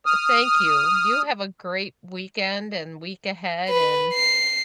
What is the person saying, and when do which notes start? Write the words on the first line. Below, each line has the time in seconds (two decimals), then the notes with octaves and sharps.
eh thank you, you have a great weekend and week ahead, and
0.06 D#6 F6
3.69 B4
4.14 C7